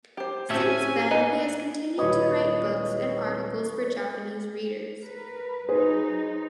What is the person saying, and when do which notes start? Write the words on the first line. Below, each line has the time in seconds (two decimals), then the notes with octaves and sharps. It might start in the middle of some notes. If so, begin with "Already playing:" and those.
Since then he has continued to write books and articles for Japanese readers.
0.17 G4 C5
0.50 A2 A3 C4 C#4 F#4 E5
0.63 G#5
1.11 D#4 B4 D#5
1.98 D#1 E4 B4 C#5 D#5 B5
5.03 A#4 B4
5.69 F#3 D#4 G#4 B4 C5